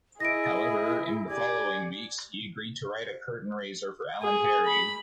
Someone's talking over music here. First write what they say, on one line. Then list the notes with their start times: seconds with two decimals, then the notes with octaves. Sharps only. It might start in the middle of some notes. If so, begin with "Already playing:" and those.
However, in the following weeks, he agreed to write a curtain raiser for Ellen Terry.
0.20 E4 G#4 D#5 A#6 D7
1.30 G4 D5 G#5
4.22 G#4
4.65 B5